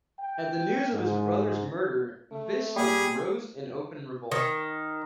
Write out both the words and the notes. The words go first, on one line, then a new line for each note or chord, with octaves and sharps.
At the news of his brother's murder, Vistahm rose in open revolt.
G5
G#2
A3
G3 A#3 G#4
D#3